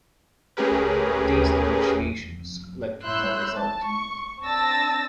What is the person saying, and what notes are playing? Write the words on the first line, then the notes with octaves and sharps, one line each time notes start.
But these negotiations led to no result.
A3 C#4 G4 G#4 A#4 B4
E4 C#5 C6 E6 F#6 G6
A5
C#6
C4 D4 A5 E6 A6 A#6